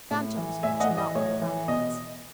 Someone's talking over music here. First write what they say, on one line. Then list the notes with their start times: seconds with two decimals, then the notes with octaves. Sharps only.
Phantoms do not wear round hats.
0.11 A2
0.37 E3
0.63 A2 E5 G#5
0.80 D#5 F#5
0.89 E3
0.97 D#5
1.15 A2 C#5
1.42 E3
1.68 B2 D#5